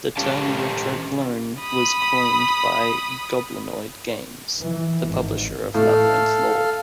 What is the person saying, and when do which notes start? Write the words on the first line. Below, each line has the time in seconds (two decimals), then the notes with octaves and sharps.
The term "retro-clone" was coined by Goblinoid Games, the publisher of Labyrinth Lord.
0.17 C#4 G4 F5 A5
1.60 B5 D#6
4.58 E3
5.05 G#1
5.74 A2 A4 F5